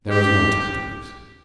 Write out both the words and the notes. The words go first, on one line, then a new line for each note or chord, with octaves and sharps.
There was no time to lose.
G4
G4